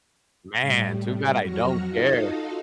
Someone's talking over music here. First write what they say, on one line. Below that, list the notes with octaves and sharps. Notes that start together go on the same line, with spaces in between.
Man, too bad I don't care.
A2 G3
F2 F#3 F#4 C#6 F6 A#6
D#4 F4 F#4 A4 D#5 F5